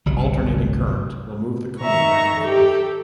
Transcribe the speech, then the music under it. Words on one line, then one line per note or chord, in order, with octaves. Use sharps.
Alternating current will move the cone back and forth.
G1 C2 F#3
D#3 E5 A#5 C#6
G4 A4